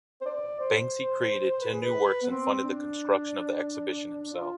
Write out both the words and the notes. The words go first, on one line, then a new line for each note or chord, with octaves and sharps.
Banksy created ten new works and funded the construction of the exhibition himself.
C5
D5
C5
B4
G#4
B4
B3
C4
D4
F4